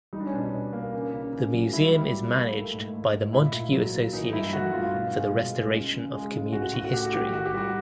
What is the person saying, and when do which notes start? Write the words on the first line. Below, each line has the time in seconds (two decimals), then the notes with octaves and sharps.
The museum is managed by the Montague Association for the Restoration of Community History.
0.13 G3 D#4
0.20 D4
0.27 C#4
0.33 B2 D4
0.54 B2
0.73 A#3
0.93 C#3
1.14 C#3
1.33 C#3
1.54 F#3
1.73 G3 E4
1.93 G3
2.14 A#3
2.33 A#3
2.53 A3
2.73 G#2
2.93 A3
3.14 G#2
3.33 A#2 E4
3.53 A#2
3.73 F#3
3.93 A#3
4.13 E3 D#4
4.33 G2 E4
4.53 A3 F#4
4.73 G2 F4
4.93 B2
5.14 G#3
5.33 B2
5.53 G#3
5.74 C#3
5.94 C#3
6.13 G#3
6.33 C#3
6.53 A2 F#4
6.73 A2 F#4
6.85 F#4
6.93 A3 G4
7.07 F#4
7.13 A2 G4
7.33 D#3 F#4
7.46 G4
7.54 G3 F#4